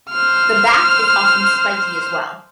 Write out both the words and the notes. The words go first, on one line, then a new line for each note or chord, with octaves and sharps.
The back is often spiky as well.
C5 F6